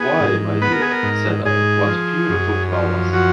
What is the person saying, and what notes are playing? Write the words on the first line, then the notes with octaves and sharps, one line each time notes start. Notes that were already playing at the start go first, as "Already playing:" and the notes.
"Why, my dear," said I, "what beautiful flowers!"
Already playing: B3 G#4
G#2
B3 B4
A#4
G#4
A#4
G#2
G#2 G#4
F3
F#2
F3
F3 F#4